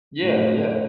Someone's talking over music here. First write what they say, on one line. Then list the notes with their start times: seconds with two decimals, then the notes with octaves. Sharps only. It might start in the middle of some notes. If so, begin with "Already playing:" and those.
Yeah, yeah.
0.22 A2